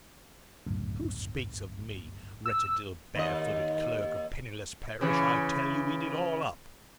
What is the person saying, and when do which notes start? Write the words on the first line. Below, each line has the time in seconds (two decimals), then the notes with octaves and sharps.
Who speaks of me? Wretched little barefooted clerk of Penniless Parish, I tell you, eat it all up!
0.66 G1 C#2 F#2 A2
2.46 E6
3.15 D#2 D#5
5.01 C#3 E3